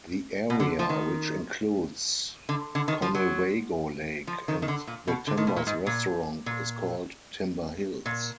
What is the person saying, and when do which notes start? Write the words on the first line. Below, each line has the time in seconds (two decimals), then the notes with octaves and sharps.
The area which includes Conewago Lake and the Timbers Restaurant is called Timber Hills.
0.50 B2
0.60 D3
0.79 F3
0.89 D#3
2.49 D3
2.75 D3
2.88 D#3
3.02 F3
3.15 F#3
4.27 F3
4.48 D#3
4.62 D#3
4.68 D3
4.87 A#2
5.07 B2
5.27 D3
5.37 D#3
5.47 B2
5.56 A#2
5.67 G#2
5.87 A#2
6.46 A#2
8.06 A#2